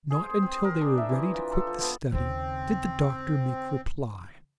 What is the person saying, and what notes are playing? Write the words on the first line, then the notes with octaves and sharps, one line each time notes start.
Not until they were ready to quit the study did the doctor make reply.
G#4
C5
C4
A#4
D4
E5
E3
F4
A4
F3
B3
D#2 C#3 C4